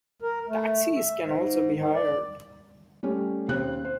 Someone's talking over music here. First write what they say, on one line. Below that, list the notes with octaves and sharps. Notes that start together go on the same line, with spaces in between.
Taxis can also be hired.
A#4
A3
E5
G#2
D#3
D5
G3 A3 C#4
D#2 C#3 C4 F#6
C5